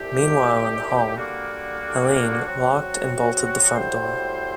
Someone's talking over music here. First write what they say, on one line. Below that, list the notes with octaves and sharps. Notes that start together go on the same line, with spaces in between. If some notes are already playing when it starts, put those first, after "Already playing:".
Meanwhile, in the hall Helene locked and bolted the front door.
Already playing: C2 A#2 A3 D#4 G4
D3 G3 A#3 F#4
F#3 C4 F#4
A2 G3 C4 F#4 C5